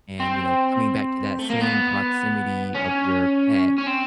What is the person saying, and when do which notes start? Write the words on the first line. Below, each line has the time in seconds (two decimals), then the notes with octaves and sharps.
and, you know, coming back to that same proximity of your pet,
0.20 C4
1.39 A3
1.50 A#3
1.61 B3
2.75 C#4
3.78 C#4
3.87 C4